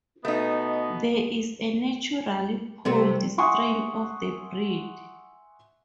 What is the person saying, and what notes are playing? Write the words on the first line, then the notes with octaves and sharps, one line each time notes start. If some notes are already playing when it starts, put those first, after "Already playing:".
There is a naturally polled strain of the breed.
B2 A3 B3 D#4 D#5
C3 G3 A3 C4
E5 F#5 G#5 C6 C#6 D#6